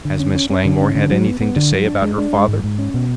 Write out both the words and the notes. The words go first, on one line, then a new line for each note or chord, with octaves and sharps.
"Has Miss Langmore had anything to say about her father?"
D3
C#4
C#4
C#4
D3
C#4
D3
F#3
B3
B3
D3
F#3
D4
G#3
D4
G#3
G#2
G#2
C#4
B2